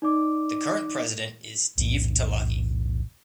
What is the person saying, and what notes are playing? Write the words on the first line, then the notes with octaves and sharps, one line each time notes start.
The current President is Deve Talagi.
D#4 D5 D6
B1 E2 A2